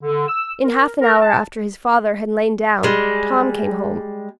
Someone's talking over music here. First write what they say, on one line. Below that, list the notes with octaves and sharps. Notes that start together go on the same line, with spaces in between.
In half an hour after his father had lain down Tom came home.
D3
E6
A#4
A#4
A5
G3 G#3